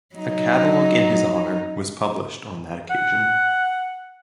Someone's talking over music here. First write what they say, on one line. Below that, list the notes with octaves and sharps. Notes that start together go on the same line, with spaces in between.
A catalog in his honor was published on that occasion.
F#3 D#4
F#5